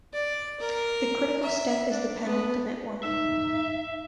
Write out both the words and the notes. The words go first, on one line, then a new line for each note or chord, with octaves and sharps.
The critical step is the penultimate one.
D5
A#4
E5
D4
B3
D#4 E5 E6